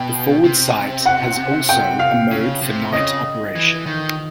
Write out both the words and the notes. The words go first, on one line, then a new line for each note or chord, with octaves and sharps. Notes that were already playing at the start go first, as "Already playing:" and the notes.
The forward sight has also a mode for night operation.
Already playing: B2 G5
C3
F#5
G5
F5
C#3
C3
C#3 D#5
E3
D#3